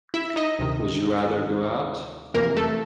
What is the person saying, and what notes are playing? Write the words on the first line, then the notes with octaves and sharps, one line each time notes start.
Would you rather go out?
E4 E5
D#4 D#5
D2 C3 D#3
F2 C3 E3 A#3 A#4
A3 A4